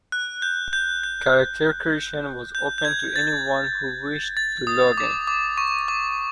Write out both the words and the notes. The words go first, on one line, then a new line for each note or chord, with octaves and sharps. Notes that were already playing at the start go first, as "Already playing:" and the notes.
Character creation was open to anyone who wished to log-in.
F#6
G6
G6
G6
G6
G6
G#6
A6
A6
D#6
D6
D6
C#6
D6